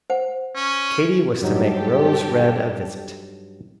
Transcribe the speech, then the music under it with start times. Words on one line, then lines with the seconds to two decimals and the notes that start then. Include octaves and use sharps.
Katy was to make Rose Red a visit.
0.10 C5 F#5
0.56 C#4
1.42 G2 F#3 D#4 G4 A4